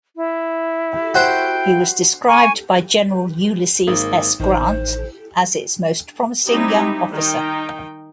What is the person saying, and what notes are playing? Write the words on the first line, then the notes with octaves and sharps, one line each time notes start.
He was described by General Ulysses S. Grant as its most promising young officer.
E4
F#4 C5 G5
G#5 C#6
G#1 A#3
A1 D#3 C5
G3 C4 D#4 E4 G4
D#3 D#4 G5